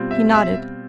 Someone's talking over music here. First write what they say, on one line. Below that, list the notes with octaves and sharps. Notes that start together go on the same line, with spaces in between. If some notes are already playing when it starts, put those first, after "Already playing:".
He nodded.
Already playing: B2 G3 C4 F4
E5
E5